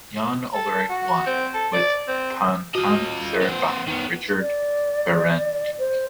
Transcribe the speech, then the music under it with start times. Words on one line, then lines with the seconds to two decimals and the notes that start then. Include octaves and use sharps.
Jan Ullrich won, with Pantani third behind Richard Virenque.
0.54 A4
0.89 F#4
1.26 C4
1.54 A4
1.73 D5
2.08 C4
2.75 F4 F#4 D#5
3.41 B3 C5
3.87 D#3 B3
4.40 D5
5.78 C5